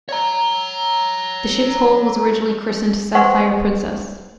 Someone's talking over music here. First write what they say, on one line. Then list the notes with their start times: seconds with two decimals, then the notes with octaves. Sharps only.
The ship's hull was originally christened "Sapphire Princess".
0.09 C#5 A#5
3.15 B4 C5 F#5 C6 C#6